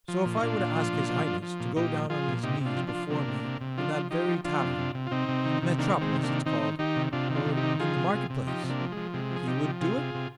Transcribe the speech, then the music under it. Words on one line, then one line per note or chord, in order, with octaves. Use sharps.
"So if I were to ask his highness to go down on his knees before me in that very tavern--'The Metropolis' it's called--or in the market-place, he would do it?"
F3
A#2
D#4
A#2 D4 F4
A#2
F3
A#2
F3
F3
F3
A#2
A#2 D#4 G4
F3
F3 F4 G#4
A#2
C3 D#4 G4
C3
D4 F4
F3
D4 F4
F3
C3 A#3 D4
C3
C3
C3
F3 D4 F4
F3
F3 D#4 G4
F3
F3 D4 F4
C3
C3
C3
F4
C3 C4 D#4
C3
D#3
C3
D#3 A#3 D4
D#3
G#3 C4
C3
A#3 D4
D#3
D#3 C4 D#4
D#3
D#3 D#4 G4
C3
C3 D4 F4
D#3
D4 F4
C3
D#4 G4
D#3
F3 F4 G#4
C3
C3
C3
F3 D#4 G4
C3
A#3 D4
F3
G#3
F3
C3 G#3
F3
G#4
C3 D#4 G4
F3
C3 F4 G#4
C3
C3